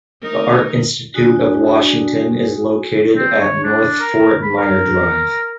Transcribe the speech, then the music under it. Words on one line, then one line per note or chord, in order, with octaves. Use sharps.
The Art Institute of Washington is located at North Fort Myer Drive.
A3 D#4 A#4
D4 F#4 G#5 D#6
C4
C#5
D4
A#4
B5
A#4